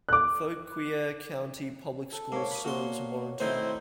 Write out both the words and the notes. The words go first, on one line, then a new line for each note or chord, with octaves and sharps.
Fauquier County Public Schools serves Warrenton.
D6 F#6
A4
G#2 A#3 C#5
B5 D#6
A#2 F#4 C6
A2 D#3 C4 D#4 E4 C5